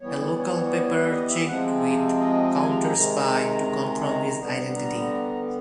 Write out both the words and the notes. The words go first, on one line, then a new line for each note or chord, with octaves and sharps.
A local paper checked with "CounterSpy" to confirm his identity.
E3 G3 B3 C#5
C#5
C#5
E5
D#5
E5
C3 F3 G#3 C4 F#5
D#5
G#5
A#5
A#5
C3 D#3 G#3
A#5
A#5
D3 G3 B3
A#5